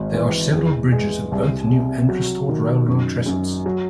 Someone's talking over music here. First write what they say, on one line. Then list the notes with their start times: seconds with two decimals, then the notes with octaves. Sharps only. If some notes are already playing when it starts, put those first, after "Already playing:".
There are several bridges and both new and restored railroad trestles.
Already playing: G#1 F#3
0.14 E3
0.53 E2
0.92 G#3
1.32 C2
1.70 C3
2.09 F#3
2.49 D#3
2.87 F#2
3.26 F#2
3.66 F#3